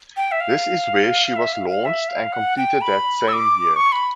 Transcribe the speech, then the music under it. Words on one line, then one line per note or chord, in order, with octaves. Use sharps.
This is where she was launched and completed that same year.
G5
E5
F5
E5
F5
F5
E5
F5
F#5
G5
B5
E6
D6
C#6
B5